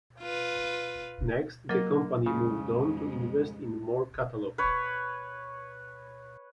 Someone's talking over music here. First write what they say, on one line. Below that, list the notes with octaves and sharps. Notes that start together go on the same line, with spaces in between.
Next, the company moved on to invest in more catalogs.
F4 B4
F#3 A#3 A#4 D#5
F2 C#3 G3 G#3
B4 C#5